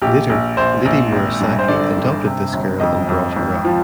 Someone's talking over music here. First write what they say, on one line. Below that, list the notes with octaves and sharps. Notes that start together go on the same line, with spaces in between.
Later, Lady Murasaki adopted this girl and brought her up.
A#1 G4
A#1
A#1 C5
A#1
G#1
G2
C5
D3 D5
G2
C3
G1
F2 D#5
F2
G#1
F3